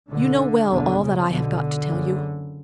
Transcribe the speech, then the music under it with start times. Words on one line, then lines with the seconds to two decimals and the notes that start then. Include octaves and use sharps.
You know well all that I have got to tell you.
0.10 C#2 B2 D3
0.70 F#1 E2 B2 D3
1.00 C#3
1.29 B1 B2 D3
1.89 F#1 F#2 C#3